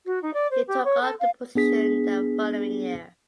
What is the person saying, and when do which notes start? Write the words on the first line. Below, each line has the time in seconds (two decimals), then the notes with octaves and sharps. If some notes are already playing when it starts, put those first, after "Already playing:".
He took up the position the following year.
0.06 F#4
0.22 D#4
0.33 D5
0.51 C5
0.68 G4
0.84 C#5
1.01 A4
1.19 F5
1.55 B3 D4 G#4 B6